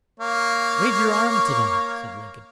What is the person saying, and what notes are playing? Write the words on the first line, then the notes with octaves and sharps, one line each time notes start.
"Wave your arm to them," said Lincoln.
A#3 C#5